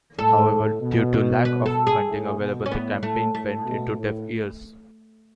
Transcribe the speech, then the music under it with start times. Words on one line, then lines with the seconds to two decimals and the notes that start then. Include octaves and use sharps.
However, due to lack of funding available, the campaign went into deaf ears.
0.18 A2 A4
0.81 B2
1.45 B4
1.66 A4
1.87 G#4
2.08 A2
2.39 B2
2.66 C#4
2.70 A2 B3
3.03 A2 A3
3.34 A2 A3
3.65 B2
3.98 A2